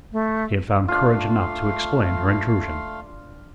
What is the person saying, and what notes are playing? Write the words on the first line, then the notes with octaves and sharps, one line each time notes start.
She had found courage enough to explain her intrusion.
A3
A3 D4 F4 F5 C6